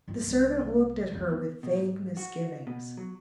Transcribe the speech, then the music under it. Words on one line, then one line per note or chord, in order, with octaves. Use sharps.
The servant looked at her with vague misgivings.
G2 F4
C2 G#3
F2 E4
B3
B2
G#2
F#4
B2
F#3